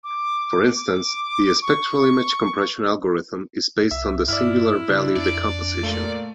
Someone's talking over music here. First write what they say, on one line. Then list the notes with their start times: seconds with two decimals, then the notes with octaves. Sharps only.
For instance, the spectral image compression algorithm is based on the singular value decomposition.
0.04 D6
0.76 D6
1.62 C#6
3.91 C2 E5
4.28 G2 E4 D5 E5 F6
4.89 C#3 D4
5.16 F2 D5
5.83 A#2 A3